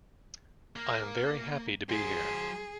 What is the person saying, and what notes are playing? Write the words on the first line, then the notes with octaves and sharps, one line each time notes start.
I am very happy to be here.
A#3
F#3 G#4 C5